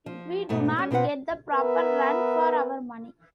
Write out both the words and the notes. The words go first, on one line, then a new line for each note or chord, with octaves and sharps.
We do not get the proper run for our money.
F3
G#2 B2 A3
G3 C#4
B2 C4 F4 B4 F#5
B3 A#4 B4 E5